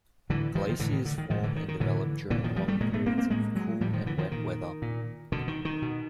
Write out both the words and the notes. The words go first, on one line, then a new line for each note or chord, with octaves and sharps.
Glaciers form and develop during long periods of cool and wet weather.
A2 D3 E3
D#3 F3
D#3
A2 D3 E3
D#3
D3
D#3
A2 D#3 F3
D3 E3
D#3
D#3
A2 D3 E3
A#2 D3 E3
D#3 F3
F3 G3
G3 A3
A#2 G#3 A#3
A3 B3
A#3 C4
A#3 C4
A2 G#3 A#3
F#3 G#3
A2 F3 G3
D#3 F3
D3 E3
D#3 F3
A#2 D#3
A#2
B2 D3
D#3
D#3
B2